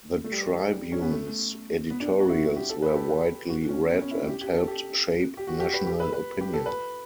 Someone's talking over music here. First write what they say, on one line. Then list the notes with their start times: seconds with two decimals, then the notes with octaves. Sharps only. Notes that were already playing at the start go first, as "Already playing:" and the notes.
The "Tribune"s editorials were widely read and helped shape national opinion.
0.24 A3
0.31 G3
0.92 C#4
1.02 B3
1.11 A3
1.90 B3
2.00 D4
2.20 F#4
2.30 E4
2.56 G4
2.70 A4
2.82 B4
2.90 G4
2.96 A4
3.09 B4
3.49 F#4
3.69 C#4
3.89 B3
4.01 C#4
4.11 E4
4.14 D4
4.28 G4
4.41 G4
4.54 A4
4.68 G4
5.37 G4
5.47 F#4
5.60 G4
5.74 B4
5.87 G4
6.00 B4
6.13 B4
6.41 G4
6.54 A4
6.66 B4